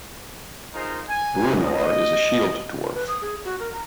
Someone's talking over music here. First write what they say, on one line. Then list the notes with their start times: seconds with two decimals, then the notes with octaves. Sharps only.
Bruenor is a Shield Dwarf.
0.74 D#4 F4 G#4 A#4 C5
1.08 G#5
1.56 D#5
2.94 B4
3.08 D#6
3.21 G#4
3.45 F#4
3.60 A#4
3.73 A#5